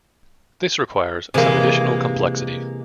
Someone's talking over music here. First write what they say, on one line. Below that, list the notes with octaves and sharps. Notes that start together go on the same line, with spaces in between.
This requires some additional complexity.
C3 E3 G#3 A#3